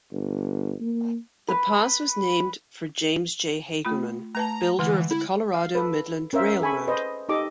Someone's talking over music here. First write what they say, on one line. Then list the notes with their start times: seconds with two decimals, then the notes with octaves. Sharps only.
The pass was named for James J. Hagerman, builder of the Colorado Midland Railroad.
0.12 G1
0.81 A#3
1.48 B4
3.85 A3 F4 B5
4.35 A3 B4 A5 A#5
4.79 D3 E3 G#3
5.11 E4
5.54 F5
5.75 A4 B4
6.33 C#4 A#4 C5 E5 F5
6.61 G#4 A4 G#5 B5 C#6
6.88 B4 C5 D#5
7.29 D#4 G4 A4 D#5 D6